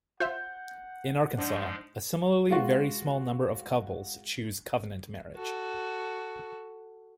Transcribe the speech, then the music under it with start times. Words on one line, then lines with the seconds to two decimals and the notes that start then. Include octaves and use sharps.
In Arkansas, a similarly very small number of couples choose covenant marriage.
0.20 F4 C5 E5 F#5 G6
1.38 G#2 F3 G#3 D4
2.49 G#3 F4 F#4
5.37 F#4 A4